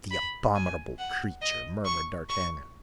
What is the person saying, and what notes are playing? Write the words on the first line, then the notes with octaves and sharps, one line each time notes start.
"The abominable creature," murmured d'Artagnan.
B5
G#5
F#5
D#5
C#6
C#6